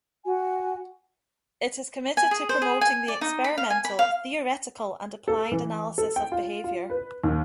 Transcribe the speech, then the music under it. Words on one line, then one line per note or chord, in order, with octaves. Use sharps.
It is committed to promoting the experimental, theoretical, and applied analysis of behavior.
F#4 G#5
G#5
G#4
C5
G#4
G#5
D5
D#4
B5
F5
G#5
B5
F5
A4
E3
A4
G5
F4
F4
B4
D#2